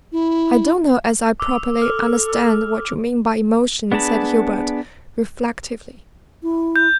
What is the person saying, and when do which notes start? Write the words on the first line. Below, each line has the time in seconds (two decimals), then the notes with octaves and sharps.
"I don't know as I properly understand what you mean by emotion," said Herbert, reflectively.
0.12 E4
1.40 D6 E6
1.82 A4 F6
3.92 B3 D4 G#4 A5 B5
6.43 E4
6.76 G6